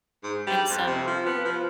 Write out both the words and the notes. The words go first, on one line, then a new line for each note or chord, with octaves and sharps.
and some
G#2
G3
F2
C3
F3
B3
F3